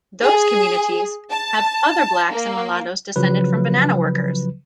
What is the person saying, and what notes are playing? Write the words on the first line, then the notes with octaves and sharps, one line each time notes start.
Those communities have other blacks and mulattos descended from banana workers.
G#4
A5
A#3
C#3 F3 F#3 B4